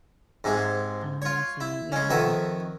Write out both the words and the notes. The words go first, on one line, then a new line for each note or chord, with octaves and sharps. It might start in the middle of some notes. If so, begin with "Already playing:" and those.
I see. Yeah.
G#2 C3 G#3
F4 C#5
E4
G#3 C#4
F2 D#3 F#4 B4 E5